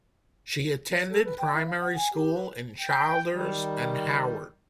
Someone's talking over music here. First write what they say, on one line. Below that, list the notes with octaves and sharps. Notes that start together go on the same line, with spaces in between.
She attended primary school in Childers and Howard.
C#5
A4
B4
G5
E4
F5
F#5
G#5
G4
B4
G5
D#3 G3